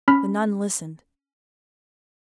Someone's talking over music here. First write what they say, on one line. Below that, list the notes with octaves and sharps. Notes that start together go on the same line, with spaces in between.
The nun listened.
C#4 B5 F6 B6